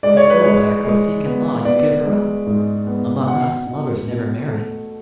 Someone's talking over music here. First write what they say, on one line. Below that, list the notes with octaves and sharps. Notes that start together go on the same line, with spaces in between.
And so by our Kosekin law you give her up; among us, lovers never marry.
G#3 D5
C#5
B4
G#3 C#5
G#3
B3
B3 D5
G#3
G#2
B3
B2 F#5
B2
B2
A3